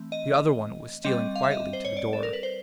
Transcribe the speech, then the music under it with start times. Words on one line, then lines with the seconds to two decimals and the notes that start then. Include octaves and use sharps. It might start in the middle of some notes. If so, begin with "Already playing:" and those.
The other one was stealing quietly to the door.
Already playing: E3 A3 C4
0.12 D#5
1.04 G3 C4 D#5
1.35 F5
1.43 E5
1.51 D#5
1.73 C5
1.85 C#5
1.97 D5
2.13 A4
2.23 A#4
2.33 B4
2.43 C5